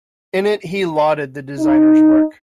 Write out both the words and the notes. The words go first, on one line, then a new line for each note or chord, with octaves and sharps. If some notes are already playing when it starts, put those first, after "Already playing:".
In it he lauded the designers' work.
D#4